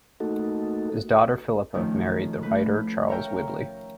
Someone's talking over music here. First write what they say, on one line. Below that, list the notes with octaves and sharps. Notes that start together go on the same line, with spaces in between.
His daughter Philippa married the writer Charles Whibley.
A3 A#3 D#4 F#4 A4
D#3 F3 A3 C#4
A3 B4
A#4 C#5 E5 F5 G5 A#5